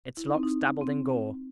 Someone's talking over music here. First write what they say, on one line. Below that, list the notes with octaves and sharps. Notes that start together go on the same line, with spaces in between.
Its locks dabbled in gore.
E4
D#4
C4
D#4
C4